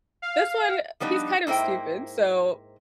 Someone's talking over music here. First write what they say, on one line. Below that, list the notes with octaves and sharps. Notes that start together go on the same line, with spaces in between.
this one, uh, he's kind of stupid, so,
F5
F3 G3 B3 D4 D#4
G#2 A#3 E4 C5 G5